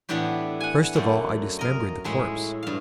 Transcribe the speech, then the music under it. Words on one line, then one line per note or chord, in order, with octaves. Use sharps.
First of all I dismembered the corpse.
A2 E3 B3 D4 E4 G4
F#5 G#5
F#2 A3 A#3
A#4 D#5
A2 G#3 E4
G2 F5